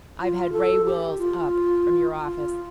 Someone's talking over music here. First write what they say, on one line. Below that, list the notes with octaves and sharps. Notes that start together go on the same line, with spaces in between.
I've had Ray Wills up from your office.
F4
A4
G4
F4
F4